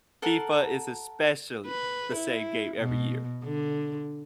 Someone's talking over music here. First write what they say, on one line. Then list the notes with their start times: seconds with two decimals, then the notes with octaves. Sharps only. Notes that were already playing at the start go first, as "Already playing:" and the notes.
FIFA is especially the same game every year.
0.22 A4 A#4 F#5
1.67 B4
2.16 E4
2.77 B2
3.44 D3